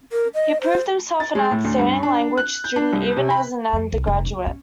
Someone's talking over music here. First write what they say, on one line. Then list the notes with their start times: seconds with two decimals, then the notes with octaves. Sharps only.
He proved himself an outstanding language student even as an undergraduate.
0.12 A#4
0.35 D#5
0.61 C5
1.20 A6
1.35 G#3
1.51 A2
1.65 D2
1.79 G2
2.03 D4
2.38 F#6
2.64 G6
2.76 D4
2.93 C2
3.17 C3
3.30 B5
3.73 F2
3.93 C2
4.07 F1
4.26 C#2
4.47 C#4